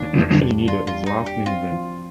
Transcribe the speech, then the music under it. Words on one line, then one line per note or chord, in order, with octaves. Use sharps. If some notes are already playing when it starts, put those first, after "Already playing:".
The union leader is Lars Lindgren.
Already playing: D#2 D4
F1
G3
D4 F4
F4
G3
D#4
D4
G4
C4 F4
F3